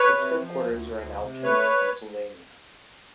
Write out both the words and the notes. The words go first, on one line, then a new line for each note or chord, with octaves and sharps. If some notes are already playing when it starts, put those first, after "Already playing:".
Its headquarters are in Altoona, Pennsylvania.
Already playing: B4 C#5
C3
F3
D2
D2
C3
A3 B4 C#5